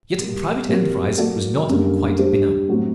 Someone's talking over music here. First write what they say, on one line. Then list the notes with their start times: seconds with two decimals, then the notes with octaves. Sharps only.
Yet private enterprise was not quite benumbed.
0.17 A#2 G3 A#3
0.68 A#2 F#3 C4 G4 A#4
1.18 F#3 A#3 F#4 A4 D5
1.69 F#2 D3 G3 A#3
2.18 G3 D4 G4 C5
2.69 A2 F#3 C4 F#4